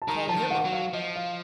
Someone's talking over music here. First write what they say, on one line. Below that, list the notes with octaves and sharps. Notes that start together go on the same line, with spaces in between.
Call him up
A5
D#3 A#5
F3 A5
D#3
F#5
F#3
F5
F3 D#5
F5